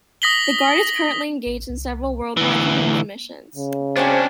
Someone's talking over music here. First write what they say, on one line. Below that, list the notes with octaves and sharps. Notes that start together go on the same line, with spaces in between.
The Guard is currently engaged in several worldwide and homeland missions.
D#6 A#6 B6 F#7 G7
A1
C2
D2 E3
C#3
C#4 D4 F#4 G4 C5 G#5